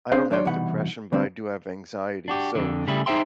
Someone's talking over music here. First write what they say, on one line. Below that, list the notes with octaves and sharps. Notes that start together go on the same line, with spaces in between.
I don't have depression, but I do have anxiety, so,
C4 D4 G#4 C5 F5
D#2 F#3 D4 C#5 D5 C6
C2 B2 E3 D#4 F#5 B5
D2 G2 C4
D4 F#4 G4
F2 D3
C#3 G3 A3 E4 G#4
D#4 G#4 C5 E5 G5 C6